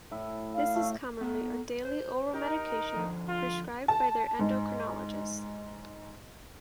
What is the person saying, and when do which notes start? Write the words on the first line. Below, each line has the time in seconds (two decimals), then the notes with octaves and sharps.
This is commonly a daily oral medication prescribed by their endocrinologist.
0.11 A2 E4
0.55 F5
0.75 A3 F#4
1.21 B3 A4
1.85 C5
2.34 D#4 G4 A#4
2.94 D3 F3 D#5
3.26 F4
3.88 A5
4.39 G#2